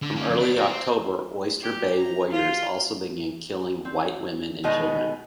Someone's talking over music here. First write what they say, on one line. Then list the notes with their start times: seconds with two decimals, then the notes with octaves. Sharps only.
From early October Oyster Bay warriors also began killing white women and children.
0.02 D3
0.16 A#3 C#4
0.28 F2 C#3
0.40 B3 D4
0.56 A#4 D5
0.70 C4
1.62 G4
1.97 A#5
2.30 F4
3.85 C4
4.64 B2 D#3 G#3 A3 B3 D#5